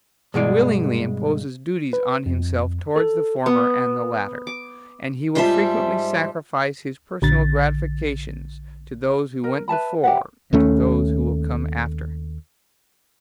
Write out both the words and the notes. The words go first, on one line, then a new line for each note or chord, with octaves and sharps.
He willingly imposes duties on himself towards the former and the latter; and he will frequently sacrifice his personal gratifications to those who went before and to those who will come after him.
G2 B2 G#3 D5
B4
F2
A4
B3
D6
G#2 G3 F4 C5 E5 A5
A#1 D3 A6
A#4
B4 E5 A5 B5
G4 E5 F#5
D#2 A3 C#4